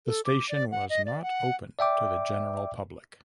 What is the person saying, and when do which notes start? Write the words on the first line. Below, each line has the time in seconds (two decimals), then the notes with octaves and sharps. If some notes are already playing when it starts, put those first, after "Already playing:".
The station was not open to the general public.
0.06 A4
0.25 D6
0.49 D5
0.72 F#5
0.90 D#5
1.06 D5
1.22 F#5
1.79 D5 E5 G5 D6